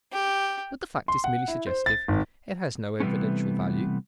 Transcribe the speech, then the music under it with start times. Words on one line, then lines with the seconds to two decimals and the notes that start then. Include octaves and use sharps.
But the fact is merely suggestive; it has no evidential value.
0.13 G4
1.08 C6
1.24 F#5
1.48 E4
1.67 C5
1.86 A6
2.08 G#1
3.00 C3 E3 G3 A3 B3 C#4